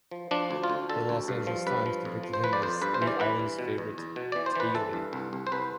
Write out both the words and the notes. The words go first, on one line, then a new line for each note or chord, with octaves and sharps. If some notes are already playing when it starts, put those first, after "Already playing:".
"The Los Angeles Times" depicted him as "the island's favorite 'tailie'".
F3
F3 D4
D2
F4
D2
D3 A4
D2
G2
F3
G2 B4
F3
F2
F3
C5
F3 B4
D5
F2 C5
G2 B4
C5
E3
D5
E3 B4
G2
B2
E2
E2
B2
E3 D5
C5
E3 B4
E3 A4
G2
C2
C2
C5
C2 B4